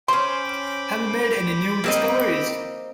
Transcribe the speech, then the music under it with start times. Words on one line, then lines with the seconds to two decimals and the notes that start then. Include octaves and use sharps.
Have you made any new discoveries?
0.08 C#4 C5 G5 B5 C6 D6
1.84 A#3 C4 D#5